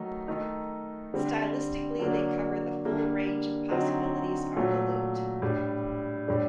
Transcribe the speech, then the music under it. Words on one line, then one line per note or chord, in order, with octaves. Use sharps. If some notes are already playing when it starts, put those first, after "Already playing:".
Stylistically, they cover the full range of possibilities on the lute.
Already playing: D#3 F#3 A3 D#4
D#3 A3 D#4
D3 G3 C4
D3 F#3 A#3 D4
D3 G3 A#3
D3 F#3 C4 D#4
A#2 F#3 A3
A2 G3 D4
A2 G3 D4